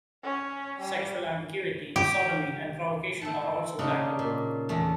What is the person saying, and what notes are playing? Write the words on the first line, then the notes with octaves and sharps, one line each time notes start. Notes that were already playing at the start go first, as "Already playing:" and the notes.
Sexual ambiguity, sodomy and provocation are also tackled.
C#4
G3
G4
E4 G5 A5
C#3 D4 D#4 G4
A#2
E2 A3